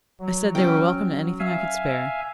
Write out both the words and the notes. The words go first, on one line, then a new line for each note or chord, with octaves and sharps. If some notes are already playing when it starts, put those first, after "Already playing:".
I said they were welcome to anything I could spare.
F#3
C#4 G5
E5 F5 G#5